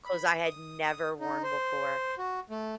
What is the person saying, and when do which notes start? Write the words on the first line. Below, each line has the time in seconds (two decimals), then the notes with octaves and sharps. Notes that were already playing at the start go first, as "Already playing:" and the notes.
Clothes I had never worn before.
0.06 B5
0.45 D#6
0.82 D#6
1.20 D#4
1.43 C5
2.18 F#4
2.50 A3